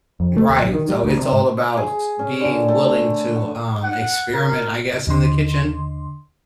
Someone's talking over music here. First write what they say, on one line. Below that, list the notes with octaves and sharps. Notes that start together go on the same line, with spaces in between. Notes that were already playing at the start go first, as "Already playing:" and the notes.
Right. So, it's all about being willing to, um, experiment, I guess, in the kitchen,
F2
A3
D#2
B1
D#3
G3
D2
C3
G#2
G#4
C#4
D3
A3
F#5
F#5
A#4
D#2 D3 C6